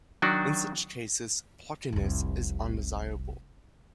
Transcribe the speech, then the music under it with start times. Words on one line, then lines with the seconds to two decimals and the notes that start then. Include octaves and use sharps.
In such cases, blockiness is undesirable.
0.22 D#3 F#3 D4 F#4
1.93 F1 C2